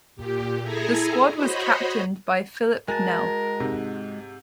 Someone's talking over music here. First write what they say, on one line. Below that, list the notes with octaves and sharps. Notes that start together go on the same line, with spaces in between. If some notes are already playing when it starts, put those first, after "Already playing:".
The squad was captained by Philip Nel.
A#2 G4
E4 G#4 A4 G#5 A#5
F#4 C5 C#5 D#5 B5
G#3 F#4 A#4 G#5 A5
G#2 C3